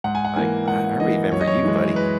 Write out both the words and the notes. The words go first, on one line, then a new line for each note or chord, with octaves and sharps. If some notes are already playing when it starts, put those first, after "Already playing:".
like, "I I remember you, buddy."
G#2 F#5
G#5
F#5
E3 A#3 G#5
G#2 F#5
E3 A#3 D#5
F#2 C#5
D#5
C#5
E3 G#3
B4